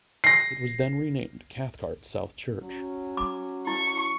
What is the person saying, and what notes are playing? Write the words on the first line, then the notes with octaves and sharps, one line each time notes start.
It was then renamed Cathcart South Church.
A#6 C7
F#3 C#4
D6
E4 C#6